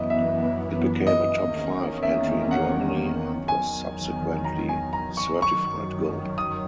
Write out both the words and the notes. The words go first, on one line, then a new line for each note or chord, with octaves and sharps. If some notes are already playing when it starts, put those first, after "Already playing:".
It became a top five entry in Germany, and was subsequently certified Gold.
Already playing: F#2 E3 B3 D#5 E5
E5
D#5
E2 D#3 A#3 C#4
E5
F#5
E2 D#3 F#3 G#5
A#5
G#5
A#5
C#6
F#2 D#3 F#3 C#6
D#6